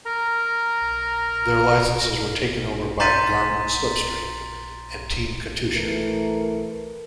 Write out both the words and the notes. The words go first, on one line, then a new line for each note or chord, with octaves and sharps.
Their licenses were taken over by Garmin-Slipstream and Team Katusha.
A#4 A#5
A#5 C6 G6 A6 B6 D#7
E3 A3 A#4